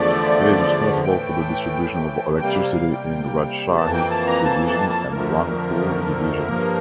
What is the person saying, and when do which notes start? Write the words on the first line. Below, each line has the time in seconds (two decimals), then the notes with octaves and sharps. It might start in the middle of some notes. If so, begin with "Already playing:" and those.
It is responsible for the distribution of electricity in Rajshahi Division and Rangpur Division.
Already playing: E2 D3 F3 A3 D5
1.04 A2 E3 A3 G5
2.40 C3 G3 A#3 G5
2.75 F5
2.92 G5
3.76 F2 E3 A#3 A5
3.93 G5
4.11 A5
4.27 A#5
4.44 A5
4.67 A5
4.89 A5
5.12 F2 D3 F3 A3 A#4
6.48 G2 F3 A#3